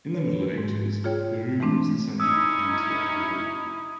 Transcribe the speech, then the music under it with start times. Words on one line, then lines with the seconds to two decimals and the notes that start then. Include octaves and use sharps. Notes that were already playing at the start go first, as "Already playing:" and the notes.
In the Middle Ages, Dreux was the centre of the County of Dreux.
0.14 B4 C#5
0.54 G#2 G#3
1.04 F4 G#4 C#5 G5
1.60 E3 G#3 A3 C4 D4
2.20 C#4 D#4 E4 D#6 E6